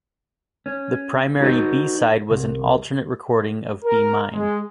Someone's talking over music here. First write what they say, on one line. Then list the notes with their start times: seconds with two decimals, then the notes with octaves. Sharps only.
The primary b-side was an alternate recording of "Be Mine".
0.66 C#4
1.40 D#4 F#4 C5 D#5
2.30 C2
3.84 A#4
4.33 G#3